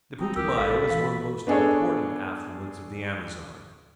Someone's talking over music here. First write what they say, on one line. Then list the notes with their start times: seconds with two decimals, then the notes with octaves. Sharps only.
The Putumayo is one of the most important affluents of the Amazon.
0.20 C4 D#4
0.36 D2 G4 A#4 E6
0.58 A1 A4 F5 B5
0.91 E3 F5
1.47 B3 D4 G#4 A4 C#5